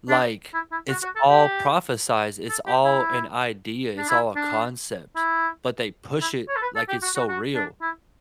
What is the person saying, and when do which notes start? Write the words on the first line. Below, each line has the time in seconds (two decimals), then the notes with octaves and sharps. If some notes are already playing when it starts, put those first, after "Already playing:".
like, it's all prophesied. It's all an idea. It's all a concept. But they push it like it's so real.
0.10 D4
0.54 E4
0.72 E4
0.89 F#4
1.03 F#4
1.16 A4
1.30 G4
2.50 A4
2.67 G4
2.85 E4
3.98 D4
4.09 E4
4.36 D4
5.16 E4
6.22 E4
6.49 C#5
6.57 A4
6.62 B4
6.76 A4
6.89 G4
7.02 F#4
7.16 F#4
7.29 F#4
7.55 D4
7.82 E4